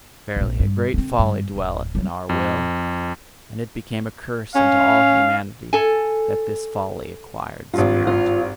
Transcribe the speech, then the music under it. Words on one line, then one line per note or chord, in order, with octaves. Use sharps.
Verily, a great folly dwelleth in our Will; and it became a curse unto all humanity, that this folly acquired spirit!
A#1 D4
G2
D3 C4
G2
D1
F#3 G3
F2
C#4 F5
A4 G#5
G#1 G2 F4
F4